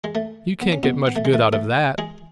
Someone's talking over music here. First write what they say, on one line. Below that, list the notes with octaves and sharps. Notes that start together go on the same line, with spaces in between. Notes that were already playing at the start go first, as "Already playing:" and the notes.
"You can't get much good out of that."
G#3
A3
B3
C#4
B2 B3
B3
A3
G#3
A3
A3
G#3 G#4